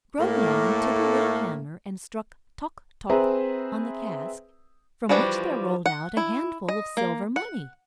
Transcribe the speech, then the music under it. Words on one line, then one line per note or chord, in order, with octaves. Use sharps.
Grognon took a little hammer, and struck "toc, toc," on the cask, from which there rolled out a handful of silver money.
A2 A3 A#3
C4 G#4 B4 C5 E5 A#5
E3 F3 G3 D4 F#4
F#5
E4
D#5
A#3
F#5